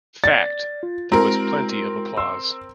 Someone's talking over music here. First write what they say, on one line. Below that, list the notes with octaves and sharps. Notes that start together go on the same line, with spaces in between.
Fact: There was plenty of applause.
D5 A6
F4
G#3 C4 E4 F#4 A#4 A#5
C6 E6